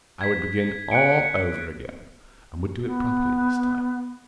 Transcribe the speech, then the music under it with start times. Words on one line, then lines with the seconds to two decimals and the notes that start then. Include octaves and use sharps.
I would begin all over again, and would do it properly this time.
0.21 G#6 B6
0.91 F#6 C#7 D7
2.83 B3